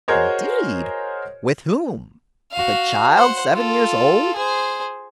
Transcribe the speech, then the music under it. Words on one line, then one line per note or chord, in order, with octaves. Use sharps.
"Indeed! with whom--with a child seven years old?"
F#4 G#4 A#4 C5 C#5 D#5
F#4 F5
C5 F#5
F4 A4
G#4 C5